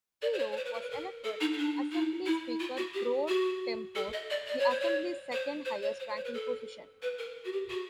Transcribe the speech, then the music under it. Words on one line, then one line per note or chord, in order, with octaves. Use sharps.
Kehoe was elected Assembly Speaker pro Tempore, the Assembly's second highest-ranking position.
D5
C5
C#5
C#5
C5
B4
A#4
B4
A#4
A4
D#4
D#4
D4
D#4
E4
F4
F#4
G4
F#4
A4
D#5
D5
D5
C#5
C5
C#5
C5
C5
C#5
C5
C#5
C5
B4
A4
B4
A#4
F#4
G4
F#4